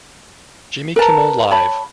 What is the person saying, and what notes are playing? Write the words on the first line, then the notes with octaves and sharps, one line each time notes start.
Jimmy Kimmel Live!
A#4 B4 A5 A#5
C#5 A5 B5